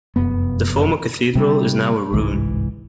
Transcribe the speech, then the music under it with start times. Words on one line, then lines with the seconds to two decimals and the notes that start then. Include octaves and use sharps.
The former cathedral is now a ruin.
0.16 F1 F#2 B3
1.35 C3 G3
2.12 G1 C2 G#2 E3